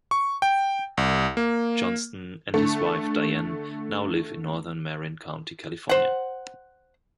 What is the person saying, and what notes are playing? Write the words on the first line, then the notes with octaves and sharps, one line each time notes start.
Johnston and his wife Diane now live in northern Marin County, California.
C#6
G5
C2
A#3
D3 A3
C5 F#5